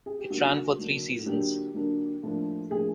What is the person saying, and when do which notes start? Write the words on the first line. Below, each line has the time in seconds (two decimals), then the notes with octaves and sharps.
It ran for three seasons.
0.06 G#4
0.19 G4
0.30 D3 F#3 A#3 D4 F#4
0.78 D3 F#3 A#3 D4
1.26 D3 F#3 A#3 D4 G4
1.74 D3 F#3 A#3 D4
2.23 A2 F3 A#3 D4
2.70 A2 F3 A#3 D4 G#4